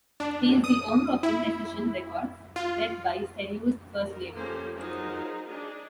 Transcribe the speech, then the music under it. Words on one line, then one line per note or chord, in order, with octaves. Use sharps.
He is the owner of Indecision Records, Death by Stereo's first label.
D4
D#6
E4
F4
A#4
F3 A#3 C#4 G4 A4 C5
F#3 D#4 F4 G#4 A#4 C5
D4 D#4 G#4